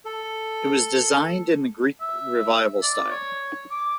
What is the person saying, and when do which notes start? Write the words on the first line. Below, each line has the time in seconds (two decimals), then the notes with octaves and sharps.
It was designed in the Greek Revival style.
0.05 A4
2.01 E5
2.82 D5
3.11 C#5
3.71 D6